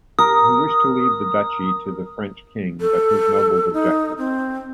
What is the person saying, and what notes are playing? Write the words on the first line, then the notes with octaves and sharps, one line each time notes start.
He wished to leave the Duchy to the French king, but his nobles objected.
A#4 D#6
A4
D#4
C4